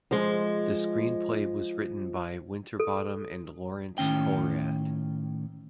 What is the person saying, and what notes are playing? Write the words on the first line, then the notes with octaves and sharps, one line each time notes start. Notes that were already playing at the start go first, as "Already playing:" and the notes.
The screenplay was written by Winterbottom and Laurence Coriat.
F3 G#3
A4
A2 D#3 C#4 G5